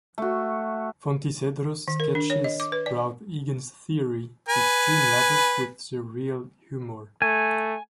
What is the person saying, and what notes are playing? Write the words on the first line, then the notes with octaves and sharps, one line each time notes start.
Fontecedro's sketches brought Egan's theory to extreme levels with surreal humor.
A3 F#4
D#3
A#4
D4
C#5
D#5
D6
B4
D5
B4 G#5
A3 G#5